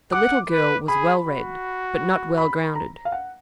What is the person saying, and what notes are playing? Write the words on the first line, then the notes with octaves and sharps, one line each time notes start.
The little girl was well-read, but not well-grounded.
F#5 D6
B4
G#4 B5
F#4
B5
A#5
F5
F#5